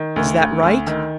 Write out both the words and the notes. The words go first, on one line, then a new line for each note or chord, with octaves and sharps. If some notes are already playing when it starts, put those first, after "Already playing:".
Is that right?
Already playing: D#3
D2
D2
D2
D#3